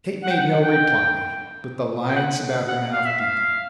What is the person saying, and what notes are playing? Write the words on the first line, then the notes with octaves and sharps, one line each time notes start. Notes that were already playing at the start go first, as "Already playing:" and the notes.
Kate made no reply, but the lines about her mouth deepened.
F#5
G5
F#5
G5
G5
F#5
F#5
F5
E5
F5